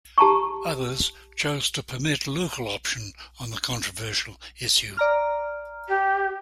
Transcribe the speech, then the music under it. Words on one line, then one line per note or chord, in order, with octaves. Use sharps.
Others chose to permit local option on the controversial issue.
G4 A5 A#5 C#6
D5 A#5 F6
G4